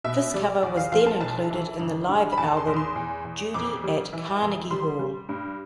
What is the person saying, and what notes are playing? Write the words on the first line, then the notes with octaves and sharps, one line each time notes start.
This cover was then included in the live album "Judy at Carnegie Hall".
B2 E5
G3 D5
E2 D5
F5
F3 F5
A5
B1 A5
E3
G1
G2
B5
E2 A5
C6
E2
C6
E2
E2
F2 D6
G3
E3
F2
G3 C6
G3
G2